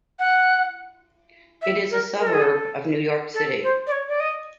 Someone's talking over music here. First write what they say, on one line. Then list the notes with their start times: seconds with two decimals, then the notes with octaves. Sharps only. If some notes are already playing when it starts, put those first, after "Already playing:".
It is a suburb of New York City.
0.19 F#5
1.62 E5
1.91 A#4
2.20 A#4
2.27 A4
2.34 G#4
2.42 A4
3.34 A4
3.63 C5
3.87 D5
3.92 C#5
4.08 D5
4.20 D#5